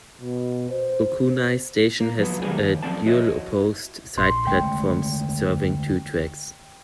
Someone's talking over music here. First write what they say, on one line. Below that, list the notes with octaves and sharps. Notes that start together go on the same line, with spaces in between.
Okunai Station has a dual opposed side platforms serving two tracks.
B2
C5
A#3
F3 F#3 B3
C#3 E3 G3 A#3 D4 G#4
D#2
F#2 D#3 F3 C4 D5 A5
E4 F#4 C#5 D#5
A#1 C6
D3 G#3 A3 G5